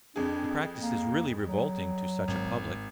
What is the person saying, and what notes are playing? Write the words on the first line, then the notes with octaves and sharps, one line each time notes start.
The practice is really revolting to such a public.
F2 D4 G#4
A#3
F#3
G#1